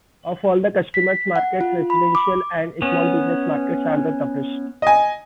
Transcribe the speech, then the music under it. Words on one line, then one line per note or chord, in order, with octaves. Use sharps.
Of all the customer markets, residential and small business markets are the toughest.
B6
F#5
F4
B5
D6
B3 C#4
D#5 G#5